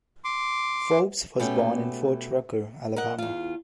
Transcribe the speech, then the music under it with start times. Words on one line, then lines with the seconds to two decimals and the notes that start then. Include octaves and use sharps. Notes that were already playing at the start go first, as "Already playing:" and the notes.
Forbes was born in Fort Rucker, Alabama.
0.25 C6 D6
1.40 B2 A3 B3 C#4 G4
2.96 A#4 D#5 F#5
3.18 E2 F4